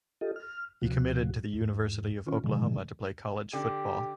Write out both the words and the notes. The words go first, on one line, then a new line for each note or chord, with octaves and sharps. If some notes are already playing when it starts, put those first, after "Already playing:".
He committed to the University of Oklahoma to play college football.
F4 G4 A4 D#5
F6
D2 C3 F3 F#4
E2 G#2
D#3 C#4 F4
G#2 B2 D3 D#3 F3 G#3
D3 G4